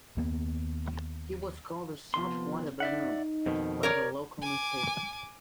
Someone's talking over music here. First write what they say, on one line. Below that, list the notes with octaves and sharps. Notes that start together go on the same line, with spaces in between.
He was called the "salt water Barnum" by the local newspaper.
D#2 A#3 B3
D#2 C3 F3 B3 C6
D#4 D5 E5 F#5
F2 B2 D#3
A#4 C#5 D5
G#5 D6